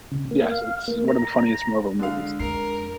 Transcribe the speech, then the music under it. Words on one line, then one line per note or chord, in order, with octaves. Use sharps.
Yes, it's one of the funniest Marvel movies.
C#3
A#3
F5
A#3
A#5
D3 G#3 D4 F5
F2 A#4 C7